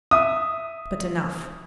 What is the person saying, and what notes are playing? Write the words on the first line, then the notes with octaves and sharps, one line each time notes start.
But enough.
E5 D#6